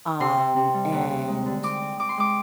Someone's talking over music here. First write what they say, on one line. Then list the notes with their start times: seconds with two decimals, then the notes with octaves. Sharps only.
um, and
0.20 C3 C6
0.38 C3
0.56 C3
0.74 G3
0.92 D#2
1.10 D#2
1.28 G#3
1.46 D3
1.63 C4 D6
1.81 C4
1.99 C4 D6
2.09 C6
2.17 G#3 D6